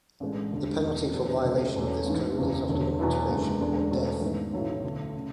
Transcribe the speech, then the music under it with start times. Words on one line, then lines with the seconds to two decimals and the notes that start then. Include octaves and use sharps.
The penalty for violation of this code is often mutilation or death.
0.20 A1 A2 G#3 D4
0.52 E1 D2 D3 G#3
0.83 E2 B2 A3
1.14 E2 D3 F#3
1.44 C#2 C#3 F#3 A3 C#4
1.75 E1 E2 B2 A3 C#4
2.06 A1 G#2 E3
2.37 F#1 E2 C#3 E3
2.68 E1 D2 D3 F#3
2.99 E2 B2 F#3 B3 E4
3.29 F#1 E2 D3 G#3
3.60 E1 D2 D3 G#3 D4
3.91 E2 B2 A3 C#4
4.21 G#1 G#2 E3 B3
4.52 B1 A2 F#3 C#4 E4
4.84 D2 D3 A3
5.17 C#3